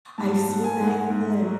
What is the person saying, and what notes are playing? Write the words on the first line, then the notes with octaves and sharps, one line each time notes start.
I've seen that clip.
G#2 A5
A5
G#2
G#5
G#2
F#5
G#2
F#3